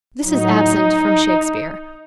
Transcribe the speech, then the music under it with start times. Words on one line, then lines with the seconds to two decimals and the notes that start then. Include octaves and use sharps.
This is absent from Shakespeare.
0.23 A2 F#3 D#4